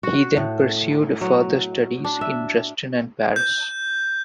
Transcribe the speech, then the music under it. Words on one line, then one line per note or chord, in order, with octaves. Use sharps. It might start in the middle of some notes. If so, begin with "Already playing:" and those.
He then pursued further studies in Dresden and Paris.
F#4
A2
F#3
D4
E5
G6